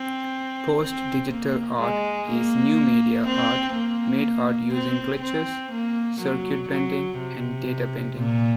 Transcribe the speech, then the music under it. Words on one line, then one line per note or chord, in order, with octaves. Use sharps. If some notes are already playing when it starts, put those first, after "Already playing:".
Postdigital art is new media art made art using glitches, circuit bending and databending.
Already playing: C4
C4
A#3
G#3
A#3
C4
A#3
C4
C4
A#3
F#3
F#3
C3
A#2